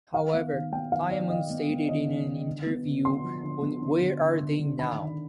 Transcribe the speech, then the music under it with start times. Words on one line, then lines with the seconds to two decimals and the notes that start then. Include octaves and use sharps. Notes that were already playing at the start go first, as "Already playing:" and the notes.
However, Diamond stated in an interview on Where Are They Now?
0.14 D#3 F5
0.34 B3
0.53 D#3
0.72 B3 G5
0.92 D#3 F5
1.11 D#3 D5
1.30 D#3 D#5
1.50 B3
1.69 B3
1.89 D#3 D#5
2.08 D#3
2.27 D#3
2.47 D3
2.66 B3
2.86 D3
3.05 D3 C6
3.24 F3
3.43 D3
3.62 B3
3.82 D3
4.01 D3
4.21 D3
4.41 D3
4.59 D3
4.79 D#3 B5
4.98 D#3